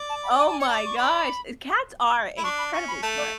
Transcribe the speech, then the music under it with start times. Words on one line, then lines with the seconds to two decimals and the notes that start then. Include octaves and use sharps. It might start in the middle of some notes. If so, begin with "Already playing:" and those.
Oh my gosh, e cats are incredibly smart.
Already playing: D5
0.09 A5
0.23 B5
0.38 G#5
0.48 A5
0.53 G#5
0.60 C#5
0.67 D5 A5
0.85 C#6
0.97 D5 B5
2.38 E4
2.44 D4 C#6
2.58 B5
2.73 C#4 C#6
2.88 B5
3.02 A3 A5
3.18 D5